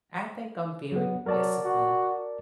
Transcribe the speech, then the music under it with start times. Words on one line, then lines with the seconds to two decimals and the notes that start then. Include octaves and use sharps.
I think I'm very disciplined.
0.92 F#3 B3
1.26 F#3 A#4 D5 A5
1.64 F#4